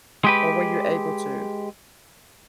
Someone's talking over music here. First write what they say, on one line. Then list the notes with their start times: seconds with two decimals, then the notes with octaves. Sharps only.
or were you able to?
0.24 G#3 G4 B4